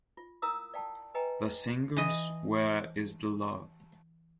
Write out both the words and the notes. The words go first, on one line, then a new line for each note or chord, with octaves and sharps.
The singles Where Is The Love?
F4
E4 A#4 F5 A#5 D#6 E6
D5 F5 G5 A5
B4 D#5 G5 G#5 A#5
E3 D#5